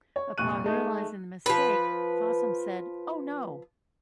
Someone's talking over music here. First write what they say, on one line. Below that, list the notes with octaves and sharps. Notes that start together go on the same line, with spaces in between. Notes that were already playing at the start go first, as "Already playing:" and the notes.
Upon realising the mistake Fossum said: Oh no!
C#5
F1 A#2 C#6 F#6 D#7
G#3 A3 D#4
F3 B4